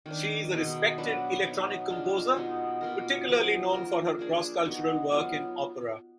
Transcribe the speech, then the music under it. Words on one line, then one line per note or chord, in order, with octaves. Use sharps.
She is a respected electronic composer particularly known for her cross-cultural work in opera.
D#3 A#3 D4
B2 G#3 D#4
F#3 D4 F#4 B4
F#3 B3 D#4
G#3 D4 F4
B2 G#3 B3 D#4
B2 A#3 F4 A#4
F3 B3 D#4 G#4
A#3 F4 A#4
A#3 D4 G#4
G#3 B3 D#4 F#4
F#3 B3 F4